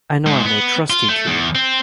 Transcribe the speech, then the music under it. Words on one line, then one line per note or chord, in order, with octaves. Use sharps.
I know I may trust you two.
G#2
B3
F4
A3
E2
C4